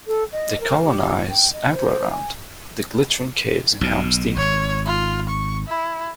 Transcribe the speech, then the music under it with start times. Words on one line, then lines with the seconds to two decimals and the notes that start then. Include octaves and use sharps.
They colonised Aglarond, the glittering caves in Helm's Deep.
0.06 A4
0.31 D#5
0.60 A#4
0.84 G4
1.29 G5
1.52 D#5
1.72 C5
2.10 G#5
3.81 B1 B2
4.36 G#1 C#5
4.86 F4
5.29 C#6
5.67 E4